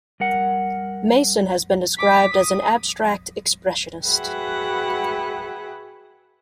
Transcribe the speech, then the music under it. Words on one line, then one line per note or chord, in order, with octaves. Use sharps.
Mason has been described as an abstract expressionist.
G3 A#4 F#5
D6 B6
D#6
F#4 G#4 B4 E5 F#5 G5